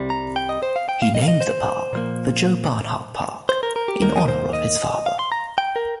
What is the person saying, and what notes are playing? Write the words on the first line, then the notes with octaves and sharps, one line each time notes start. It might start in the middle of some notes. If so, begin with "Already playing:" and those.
He named the park the Joe Barnhart Park in honor of his father.
Already playing: C2 C3 G3
A#5
G5
D#5
C5
F5
G5
F5
D#5
F5
D#5
C5
A#2 F3 A#3
C5
A#4
A#4
G4
D#2 D#3 A#3 A#4
D#5
C5
D#5
F5
C6
A#5
G5
A#4